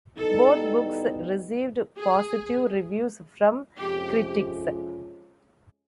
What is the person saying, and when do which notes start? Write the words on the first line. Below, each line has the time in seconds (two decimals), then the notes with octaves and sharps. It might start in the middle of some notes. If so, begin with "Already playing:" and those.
Both books received positive reviews from critics.
0.17 E2 B2 G3 B3 D#4 A4
1.98 G#4
3.78 F2 C3 F3 G#3 C#4 G4